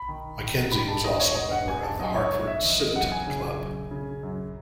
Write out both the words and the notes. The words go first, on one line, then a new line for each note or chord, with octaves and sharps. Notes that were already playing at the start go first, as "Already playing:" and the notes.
Mackenzie was also a member of the Hartford Civitan Club.
Already playing: B5
D#3
D#3
D#3 B5
A5
E2 D#5
C#5
E2 D#5
F#5
E2 G#5
A5
F#2 D#5
C#5
F#2 C#5
E5
E3 D#5
D#5
F#2 F#5
G#5
C#3
F#2
C#3
F#2